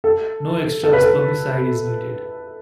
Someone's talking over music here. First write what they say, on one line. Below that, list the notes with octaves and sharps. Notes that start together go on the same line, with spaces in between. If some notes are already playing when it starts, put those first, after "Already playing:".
No extra spermicide is needed.
A4
A4
B4
A4